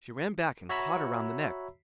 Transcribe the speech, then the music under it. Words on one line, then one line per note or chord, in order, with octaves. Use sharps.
She ran back, and caught her round the neck.
F#4 C#5 E5 A#5 B5 E6